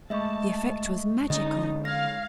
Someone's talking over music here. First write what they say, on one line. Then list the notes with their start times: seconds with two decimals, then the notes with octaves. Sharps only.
The effect was magical.
0.10 G#3 A3 D#5 E5 A5 C#6
1.30 D3 C4 C#4 D#4 D#5
1.85 F5 G#6 A#6